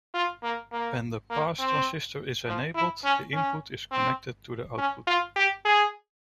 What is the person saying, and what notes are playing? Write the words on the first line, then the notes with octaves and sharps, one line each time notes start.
When the pass transistor is enabled, the input is connected to the output.
F4
A#3
A#3
A#3
C4
F3
E4
C#4
C#4
C4
C#4
F4
G4
G#4